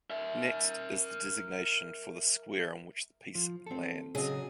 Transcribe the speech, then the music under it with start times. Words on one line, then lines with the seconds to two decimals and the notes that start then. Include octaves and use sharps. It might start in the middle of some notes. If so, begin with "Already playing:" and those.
Next is the designation for the square on which the piece lands.
0.10 A#4 E5
3.35 F3
3.67 C4 A4
4.15 C#3 F#3 G#4 D#5